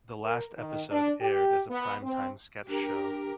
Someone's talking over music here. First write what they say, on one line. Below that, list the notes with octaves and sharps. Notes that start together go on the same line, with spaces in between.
The last episode aired as a primetime sketch show.
A#4
D#3
D4
G4
B3
C4
D4 G4 A#4